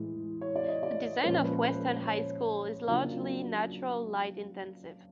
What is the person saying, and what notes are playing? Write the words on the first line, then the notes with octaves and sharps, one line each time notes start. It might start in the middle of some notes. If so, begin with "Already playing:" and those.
The design of Weston High School is largely natural-light intensive.
Already playing: A2 E3 G#3
C#5
D5
D#5
D5
C#5
A#2 F3 G#3 C#4 C5
B4
C5
C#5
C#3 F#3 A#3 D4 F4